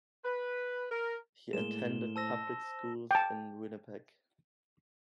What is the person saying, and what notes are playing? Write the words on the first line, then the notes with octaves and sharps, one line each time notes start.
He attended public schools in Winnipeg.
B4
A#4
A2 G#3 A#3 E7 G7
C5 A5 E6 A#6
G5 A5